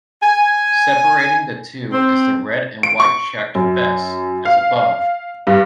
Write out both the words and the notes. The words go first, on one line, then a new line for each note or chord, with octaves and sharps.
Separating the two is the red and white checked fess, as above.
G#5
C4
D7
C#6
F#2
F5
G2